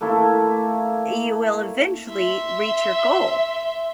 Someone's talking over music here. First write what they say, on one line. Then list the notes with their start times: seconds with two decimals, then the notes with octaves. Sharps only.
you will eventually reach your goal,
0.01 A3 A#3 E4 A4
2.09 E5 C6